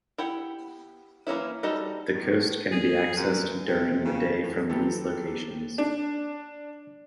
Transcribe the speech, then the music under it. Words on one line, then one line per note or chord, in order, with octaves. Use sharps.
The coast can be accessed during the day from these locations.
E4 G4 F#5
E3 A#3 C#4 E4
G3 D#4 F#4 A4 D#5
A2
G#4
F#2
C3
C#3
A2
D#3 F#3 B3 C4 G4 A4
D4